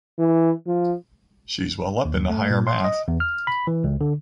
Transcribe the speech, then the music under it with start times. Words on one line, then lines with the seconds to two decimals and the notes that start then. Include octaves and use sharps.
She's well up in the higher math.
0.19 E3
0.67 F3
2.05 D#2
2.29 A3
2.50 A#2
2.67 C6
2.85 D#5
3.08 E2
3.20 F6
3.47 B5
3.67 E3
3.84 C#2
4.01 D3